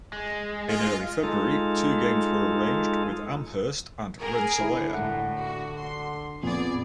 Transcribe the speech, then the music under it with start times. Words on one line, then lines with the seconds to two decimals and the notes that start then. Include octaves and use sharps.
In early February two games were arranged with Amherst and Rensselaer.
0.13 G#3
0.69 F4
1.24 G#3 D#4 F4 A4
4.21 G#4 A#4
4.61 D3 E4
4.94 A2 F#5
5.43 F#4
5.79 C6
6.43 F2 A#2 B3 G#4 D5